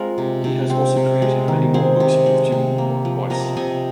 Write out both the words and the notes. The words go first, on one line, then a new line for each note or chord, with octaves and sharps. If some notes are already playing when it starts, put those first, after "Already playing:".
He has also created many more books with Jim Wiese.
Already playing: G#3 C4 F4 A#4
C3
C3
C4
C3
G#3
D#3
C4 G#4 C5
C3
G#3
C3
A#3
F3
C3 A#4 D#5
C3 D#5 G#5